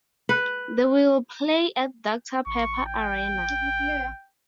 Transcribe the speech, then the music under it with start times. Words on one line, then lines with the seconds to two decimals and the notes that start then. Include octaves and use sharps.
They will play at Doctor Pepper Arena.
0.29 B4
2.46 A1 C#6
2.86 G5